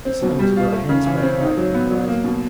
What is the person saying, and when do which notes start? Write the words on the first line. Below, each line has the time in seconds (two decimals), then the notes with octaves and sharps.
The sun was about a handspike high from the horizon.
0.05 C4
0.22 B2
0.39 G3
0.56 F4
0.72 A3
0.89 C#3
1.06 E3
1.23 C4
1.40 D#4
1.57 F#3
1.74 B3
1.91 F#3
2.08 A#3
2.24 B2